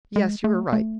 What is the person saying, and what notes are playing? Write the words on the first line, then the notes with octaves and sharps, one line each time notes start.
Yes; you are right.
G#3
A3
A3